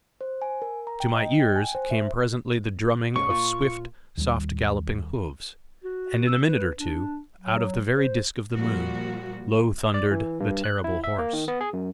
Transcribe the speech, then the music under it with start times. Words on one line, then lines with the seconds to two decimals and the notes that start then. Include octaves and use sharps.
To my ears came presently the drumming of swift, soft-galloping hoofs, and in a minute or two, out of the very disc of the moon, low-thundered the terrible horse.
0.21 C5
0.42 G#5
0.62 A#4
0.87 A#5
1.00 G5
1.14 D#5
1.40 G5
1.56 G#5
1.75 C5
1.91 E5
3.16 G#2 C#3 C#6
3.30 A#2 F4
4.17 D#2 G3
5.84 F#4
6.27 E6
6.47 B4
6.79 D4
7.41 F#3
7.97 C5
8.56 A#2 F3 G3 F#4
9.94 D5
10.11 E3
10.40 G2
10.64 F#6
10.84 E4
11.04 E5
11.19 A#3
11.33 D#3
11.48 B3
11.61 G#4
11.73 F#2